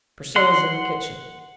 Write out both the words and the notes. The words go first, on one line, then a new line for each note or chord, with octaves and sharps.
"Priscilla's in the kitchen."
F#5 C6